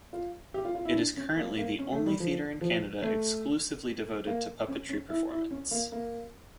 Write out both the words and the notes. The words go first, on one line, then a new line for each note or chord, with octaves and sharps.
It is currently the only theatre in Canada exclusively devoted to puppetry performance.
F4
G4
F4
F4
E4
D4
C#4
A#3
A#3
C#4
A3
G3
F3
F3
A3
A#3
C#4
C#4
E4
E4
C#4
A#3
A#3